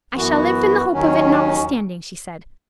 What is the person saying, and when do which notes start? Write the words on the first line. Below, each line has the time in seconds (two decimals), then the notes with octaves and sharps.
"I shall live in the hope of it, notwithstanding," she said.
0.13 F#2 E3 B3 F#4
0.93 D#2 D#3 F#3 C#4